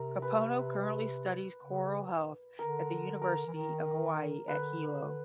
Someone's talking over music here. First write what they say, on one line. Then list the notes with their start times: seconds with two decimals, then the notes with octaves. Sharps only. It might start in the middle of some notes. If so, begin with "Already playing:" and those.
Kapono currently studies coral health at the University of Hawaii at Hilo.
Already playing: C3 A#4
0.22 B4
1.64 C#3
2.59 D3 A#4
3.22 A#4
3.47 E3
3.54 D#3
4.48 D3 B4